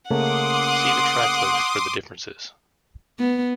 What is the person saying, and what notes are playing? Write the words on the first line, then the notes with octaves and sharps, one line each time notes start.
See the track list for the differences.
C#3 A3 A#3 F#5 C6 D6 D#6
B3